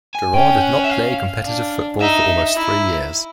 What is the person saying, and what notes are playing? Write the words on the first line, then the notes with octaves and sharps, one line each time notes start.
Durrant did not play competitive football for almost three years.
G#5
C#4 G5
F#5
E5
F5
D4
D#4 E5
E4